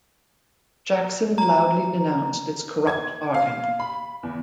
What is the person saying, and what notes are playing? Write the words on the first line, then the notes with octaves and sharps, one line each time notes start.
Jackson loudly denounced this corrupt bargain.
A#5
G#6
F5
B5
E2